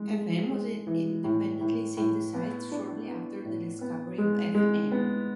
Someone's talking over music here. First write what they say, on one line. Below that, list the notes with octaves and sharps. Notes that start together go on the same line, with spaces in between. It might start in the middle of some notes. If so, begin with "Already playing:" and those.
Fm was independently synthesized shortly after the discovery of Fm.
Already playing: G#3
G#3
G#3
E3
A2
A2
A2
B3
D4
B3
A2
B3
G#3
G#3
B3